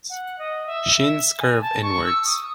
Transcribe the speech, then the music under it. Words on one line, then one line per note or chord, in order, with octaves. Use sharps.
Shins curve inwards.
F#5
D#5
E5
E5
G#5
A5
C#6
E6
D#6